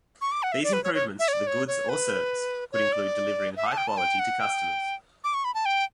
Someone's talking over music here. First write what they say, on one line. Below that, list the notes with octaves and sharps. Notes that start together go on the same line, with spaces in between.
These improvements to the goods or service could include delivering high quality to customers.
C#6
D6
F#5
E5
D5
B4
C#5
C#5
E5
C#5
D5
C#5
C#5
B4
C#5
D5
E5
F#5
A5
G5
A5
G5
F#5
G5
D6
C#6
B5
A5
G5